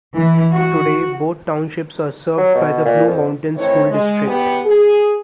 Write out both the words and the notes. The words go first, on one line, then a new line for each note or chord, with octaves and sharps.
Today both townships are served by the Blue Mountain School District.
E3
F#4
F#3
B2
A#2
F2
D#3 E3 A3 C4 E4 C#5
G#3
E2 B3 G4
G#4